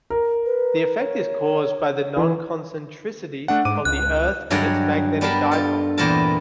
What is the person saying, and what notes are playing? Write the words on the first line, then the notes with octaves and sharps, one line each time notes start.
The effect is caused by the non-concentricity of the Earth and its magnetic dipole.
A#4
B4
C#5
E3
A3 D4 F#5
G#2 D6 D#7
C#2 F#6
G2 F#3 G#3 D5 F#5
G3 B3 D4 A#4 A5 B5
F4 A4
E2 A#2 B3 C4 A#4 A5